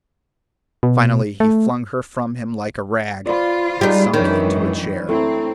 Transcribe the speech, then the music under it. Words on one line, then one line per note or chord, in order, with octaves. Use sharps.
Finally he flung her from him like a rag, and sank into a chair.
B2
A3
F4 B4 C5 D5
G3 G#3 D#4 B4
F#2 D#3 E3 G#3 D4 C#5
A3 C4 E4 A#5